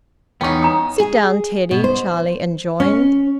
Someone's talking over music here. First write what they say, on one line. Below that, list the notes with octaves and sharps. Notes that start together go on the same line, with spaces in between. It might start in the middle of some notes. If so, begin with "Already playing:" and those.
"Sit down, Teddy," Charlie enjoined.
E2 B3 C#4 D#4 G5 C#6
A#5 D#6
G#4
B2
C5
C#4